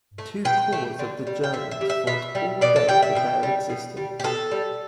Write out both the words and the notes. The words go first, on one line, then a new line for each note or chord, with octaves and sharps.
Two corps of the Germans fought all day for bare existence.
A3
B2 G5
A3
D3
G3
G5
D3 E5
E5
G3
E5
B2 E5
G3
B2 D5
A4
G3 G5
E5
B2 G5
G3
B2
G3
G4
B2 A4
G3